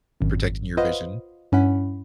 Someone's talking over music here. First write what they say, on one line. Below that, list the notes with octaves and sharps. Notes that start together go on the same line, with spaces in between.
protecting your vision.
G#1 F#2
F4 B4 C5 D#5 F5 F#5
G2 C#4 E4 F#5 B5